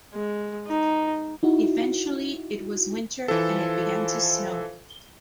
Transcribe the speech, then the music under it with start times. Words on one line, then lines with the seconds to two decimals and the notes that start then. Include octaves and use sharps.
Eventually it was winter and it began to snow.
0.14 G#3
0.67 D#4
1.43 D#4 E4 F#4
3.28 E3 F3 A4